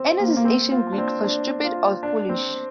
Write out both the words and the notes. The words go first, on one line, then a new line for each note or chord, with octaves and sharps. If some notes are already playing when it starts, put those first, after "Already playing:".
"Anous" is Ancient Greek for "stupid" or "foolish".
Already playing: C4 C5
A#3
A#3
C4
F4
D4
C4
D4
F4
D4
C4